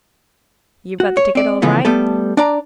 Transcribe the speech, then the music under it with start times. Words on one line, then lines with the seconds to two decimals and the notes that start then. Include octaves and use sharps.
"You've got the ticket all right?"
1.00 F#4
1.17 C#5
1.35 C4 D5
1.62 C#3 E3 F3 A3 B3
1.85 G3 A3 B3 A4
2.37 D4 D5 A#5